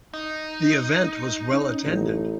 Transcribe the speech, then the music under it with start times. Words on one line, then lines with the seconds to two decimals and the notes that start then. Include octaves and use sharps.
The event was well attended.
0.14 D#4
1.52 C#4
1.84 A1